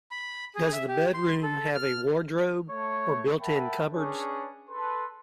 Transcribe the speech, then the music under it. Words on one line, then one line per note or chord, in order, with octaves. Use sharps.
Does the bedroom have a wardrobe, or built-in cupboards?
B5
G#4
E5
G4
C6
A4
F6
A3 C#5
A#4 E5 F#5 G5 A5 B5
C#4 D4 G#4 B4 C#5 D5
A4 B4 C6